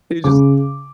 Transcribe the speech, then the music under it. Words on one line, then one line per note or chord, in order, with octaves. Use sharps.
You just
C#3 D6